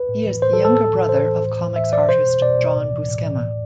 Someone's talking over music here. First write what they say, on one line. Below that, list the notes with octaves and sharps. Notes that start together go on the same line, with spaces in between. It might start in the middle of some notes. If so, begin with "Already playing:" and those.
He is the younger brother of comics artist John Buscema.
Already playing: B4
A2
E3
A2 C5
A4
E3
A4
A2 A4
E3
A2 C5
E3
A2
E3
A2 E5
E3 D5
B2 C5
B2
B2 D5
B2
A2
E3
A2
E3
A2